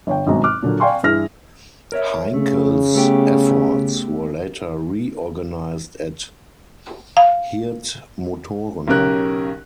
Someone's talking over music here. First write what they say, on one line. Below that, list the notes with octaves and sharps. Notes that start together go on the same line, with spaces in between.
Heinkel's efforts were later re-organized at Hirth Motoren.
G1 C#5 G5
G#1 G2 B2 F#3 G#3 A#5
D6 F6 F#6
A#2 D3 F#3 A#3
D5 F5 G5 G#5 C6 C#6
G2 E3 E4 G#4 F6 A#6
A#4 C#5 E5
C#3 A3
A3 B3 G4
F5
B1 C#3 C#4 G4 A#4 F#6